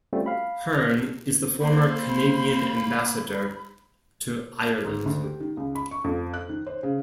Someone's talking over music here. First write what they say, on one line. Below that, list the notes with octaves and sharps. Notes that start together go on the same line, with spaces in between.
Hearn is the former Canadian Ambassador to Ireland.
G3 A3 C4 C#4 F4 F#4
F5 B5
F6 A#6
A#3 C5 B5
G#2
D2
G4
D#3
C#2
B5
C#6
F2
F#6
D#3
C5
C#3